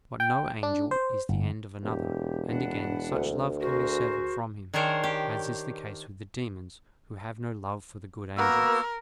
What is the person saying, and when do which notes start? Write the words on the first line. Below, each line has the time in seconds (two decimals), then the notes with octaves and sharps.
But no angel is the end of another; and again, such love can be severed from him, as is the case with the demons, who have no love for the good angels.
0.20 G5
0.63 D4
0.91 C5
1.29 G1
1.83 E1 G4
2.47 D4 B4 F#5
3.11 D2
3.61 F#4 G#4 A#4 C5
4.74 D#3 D4 G#4 A#4 C5 C#5
5.04 G4
8.38 A#3 B3 F#4 A#4 E6